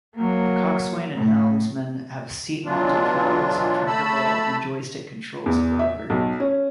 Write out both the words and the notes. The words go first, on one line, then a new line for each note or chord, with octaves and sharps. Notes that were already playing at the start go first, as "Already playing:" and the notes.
The coxswain and helmsman have seat-mounted throttles, trackerball and joystick controls of the rudder.
F#3 A#3
A2
B2 E3 F#3 D4 F4
A3 A5 B5 E6
E2
E5
B1
C#4